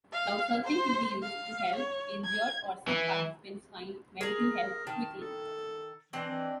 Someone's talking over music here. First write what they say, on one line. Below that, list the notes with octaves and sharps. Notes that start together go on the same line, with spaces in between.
Crowdsurfing can be used to help injured or sick participants find medical help quickly.
F5
C5
F5
C#5
G#6
E3
G#4 A#4 A#5
D#3 A5
A4
E3 C4 D4 D#5
E3